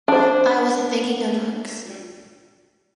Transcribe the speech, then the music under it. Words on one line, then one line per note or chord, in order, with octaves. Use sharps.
I wasn't thinking of hooks.
D4 C5